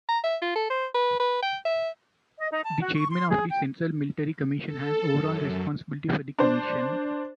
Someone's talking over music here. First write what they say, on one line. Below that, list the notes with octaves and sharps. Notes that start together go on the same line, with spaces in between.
The Chairman of the Central Military Commission has overall responsibility for the commission.
A#5
E5
F4
A4
C5
B4
B4
G5
E5
D#5
D#4
A5
F#4
C#6
C6
G#4
G5
A4
F#2
D4 C5